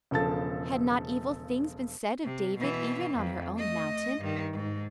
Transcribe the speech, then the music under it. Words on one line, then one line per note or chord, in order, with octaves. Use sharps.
Had not evil things been said of David even on her own mountain?
E1 C#3 F3 A4 A5 A6
C3
B2 E3
F2
A3 D#5
G2 D#3
G#2